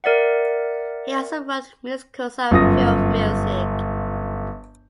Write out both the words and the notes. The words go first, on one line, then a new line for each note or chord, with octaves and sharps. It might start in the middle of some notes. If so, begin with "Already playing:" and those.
He also wrote musicals and film music.
A#4 D5 E5 F#5
G1 F#2 F4 D#6 A#6